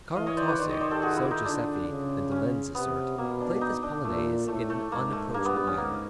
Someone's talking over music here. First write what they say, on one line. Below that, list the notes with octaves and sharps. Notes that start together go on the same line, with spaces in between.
Karl Tausig, so Joseffy and de Lenz assert, played this Polonaise in an unapproachable manner.
E3 D#5 F5
C#5 D#5
C5 D5
B4 C#5
D#3 C5 D5
C#5 D#5
C5 D5
G4 A4
F#4 G#4
E4 F4
D#4
D3 D4
C#3
C#4
C3 B3
B2 A#3
D4
D#4
D4
A#2 A3
A2 A3
A3
G#2 A#3
A3
G2 A#3
B3
B3
C#4
G#2 A#3